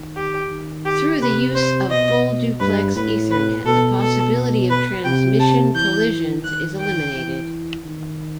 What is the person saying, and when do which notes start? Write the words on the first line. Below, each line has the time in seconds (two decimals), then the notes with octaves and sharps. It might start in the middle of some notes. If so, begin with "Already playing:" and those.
Through the use of full-duplex Ethernet, the possibility of transmission collisions is eliminated.
Already playing: D#3
0.16 G4
0.51 D#3
0.86 G4
1.21 C3 B4
1.55 C5
1.90 B2 D#5
2.60 G2 B4
2.96 A2 B4
3.31 B4
3.65 B2 A4
4.00 A4
4.70 B4
5.05 C3 G5
5.40 A5
5.75 E3 G6
6.44 D#3 F#6
6.80 G5
7.14 E3
7.85 D#3